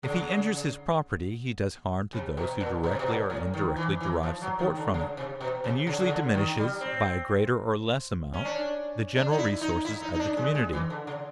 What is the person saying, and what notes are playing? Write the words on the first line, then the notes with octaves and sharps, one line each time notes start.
If he injures his property, he does harm to those who directly or indirectly derived support from it, and usually diminishes, by a greater or less amount, the general resources of the community.
C#3
C3
B2
A#2
B2
C3
B2
A#2
A2
D#3
E3
E3
F3
F#3
D#3
D3
C#3
C3
B2
C3
C#3
C#3
D3
D#3
G3
C4
C#4
D4
D4
D#4
E4
D#4
E4
D#4
D#4
D4
G#3
G#3
E3
D3
C#3